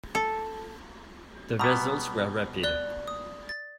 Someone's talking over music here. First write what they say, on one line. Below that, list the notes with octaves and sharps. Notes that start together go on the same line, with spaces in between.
The results were rapid.
A4
B2 G3 B3 A#5 D#6
D5 F#6 G7
D#6
A6